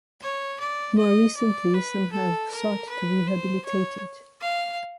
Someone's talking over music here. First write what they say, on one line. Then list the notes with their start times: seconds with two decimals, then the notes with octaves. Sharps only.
More recently some have sought to rehabilitate it.
0.22 C#5
0.60 D5
0.98 D#5
1.37 D5
1.74 B4
2.12 A4
2.51 A#4
2.89 B4
3.27 C5
3.65 C#5
4.41 F5